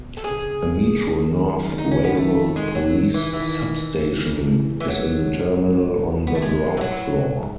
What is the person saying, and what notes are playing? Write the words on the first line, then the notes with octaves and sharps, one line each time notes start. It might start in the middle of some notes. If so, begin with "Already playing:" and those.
A Metro-North Railroad Police substation is in the terminal on the ground floor.
Already playing: B2
A4
C#3 G#4
D#3
D#4
C#4
B3
A3
G#3
F#3
E3
D#3 E3
E2
E3
F#3
F#2
G#2
B3
A3
B2 G#3
E3
A2 F#3
G#2